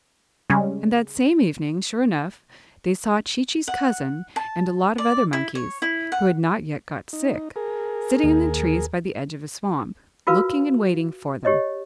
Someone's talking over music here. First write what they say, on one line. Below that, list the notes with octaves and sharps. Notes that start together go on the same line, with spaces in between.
And that same evening, sure enough, they saw Chee-Chee's cousin and a lot of other monkeys, who had not yet got sick, sitting in the trees by the edge of a swamp, looking and waiting for them.
C#3 G3 G#3 C#4
F#5
A5
D5
E4
C#5
E4
F#5
D#4
G#4 A#4
D#2
F4 F#4 A#4 B4 F5
G4 C#5 D#5